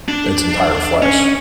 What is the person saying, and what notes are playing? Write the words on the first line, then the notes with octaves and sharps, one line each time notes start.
its entire flesh.
D4
C#4